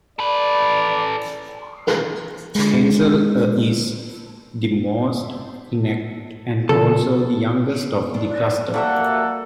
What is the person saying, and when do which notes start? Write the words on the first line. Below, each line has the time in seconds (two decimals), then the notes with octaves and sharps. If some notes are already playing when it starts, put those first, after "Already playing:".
Hainzel A is the most intact and also the youngest of the cluster.
0.19 A4 B4 D5
2.55 D3 G#3
6.69 C#3 E3 F3 A4
8.14 D4 F4
8.74 G3 A#3 F#4 A4 E5 F#5